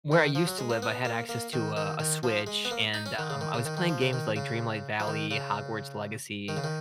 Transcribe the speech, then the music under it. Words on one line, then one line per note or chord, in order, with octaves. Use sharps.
where I used to live, I had access to a a Switch, and, um, I was playing games like Dreamlight Valley, Hogwarts Legacy,
D#3
F3
F#3
G#3
A#3
B3
A#3
A#3
D#3
D#3
D#3
F3
G#3
B3
A#3
D#4
C#4
D#3
C#3
D#3
C#3
D#3
D#3
F3
C#3
D#3
C#3
F3
D#3
C#3
D#3
C#3
D#3